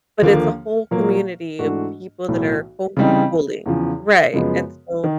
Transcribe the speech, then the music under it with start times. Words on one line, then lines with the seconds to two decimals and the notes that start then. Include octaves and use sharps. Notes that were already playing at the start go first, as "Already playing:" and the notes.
but it's a whole community of people that are homeschooling. Right, and so
0.22 D#2 D3 F3 A#3
0.91 A#2 F#3 A#3
1.59 G#2 E3 A3 D4 F#4
2.28 B1 A2 E3
2.97 C#3 E3 G3 C4 D#4
3.66 E2 C#3 F3
4.33 F#2 C#3 F3 G#3 B3
5.04 D#3